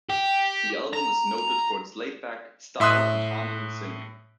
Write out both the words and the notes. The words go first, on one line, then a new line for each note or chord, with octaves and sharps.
The album is noted for its laid-back style and harmony singing.
G4
A#5
A2 E5 C6 D#6 F#6